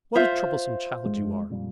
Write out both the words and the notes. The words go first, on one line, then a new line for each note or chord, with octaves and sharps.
What a troublesome child you are!
F4 C5 E5
F1 G#3
F2 A#2 G3